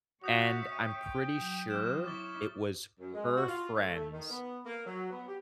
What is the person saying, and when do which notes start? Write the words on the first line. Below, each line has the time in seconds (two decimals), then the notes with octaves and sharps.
And I'm pretty sure it was her friends
0.24 F#4 C#5 E5 D#6 G6 B6
0.73 G5 D#7
1.36 F#3
1.70 F#3 C4 D6 F6 E7
2.06 E4 C#5 D6 A6 G7
3.00 F#2
3.14 G#3
3.37 F#4
3.48 F4
3.74 A3
3.94 A3
4.13 D#3
4.30 B3
4.66 A#3
4.86 F#3
5.11 B3
5.28 G4